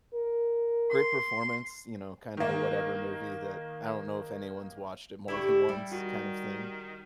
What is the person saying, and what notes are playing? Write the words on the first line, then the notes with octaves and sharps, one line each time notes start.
Great performance, you know, kind of a whatever movie that I don't know if anyone's watched it more than once kind of thing.
A#4
C6
D#3 A#3
D3 E4 G4 E5 C#6
G3 G5
D#3 F#4